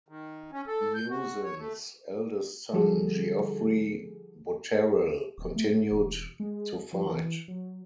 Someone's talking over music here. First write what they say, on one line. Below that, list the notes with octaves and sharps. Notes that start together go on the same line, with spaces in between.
Eozen's eldest son Geoffrey Boterel continued to fight.
D#3
C#4
A4
G6
F#4
C#5
A3
D3 F3 G3 F#4 G#4 A4
D1
A3
E1
G#3
F3
E3
F#3